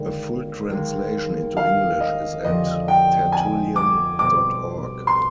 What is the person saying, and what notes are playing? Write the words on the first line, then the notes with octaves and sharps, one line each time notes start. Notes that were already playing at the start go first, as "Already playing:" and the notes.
A full translation into English is at Tertullian dot org.
Already playing: D#2 D3 G#3 D#4
D#2 D#3 G#3
F5
D#5
F2 D3 F3 C4 G4 D#5
G5
G#5
D6
B1 B2 G3 C4 D6
C6